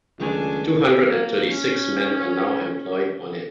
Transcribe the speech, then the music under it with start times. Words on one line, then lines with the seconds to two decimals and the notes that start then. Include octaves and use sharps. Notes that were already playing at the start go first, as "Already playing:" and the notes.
Two hundred and thirty-six men are now employed on it.
0.20 C#2 D#3 F#3 A3 D4 G#5
1.08 A#3
1.49 C#4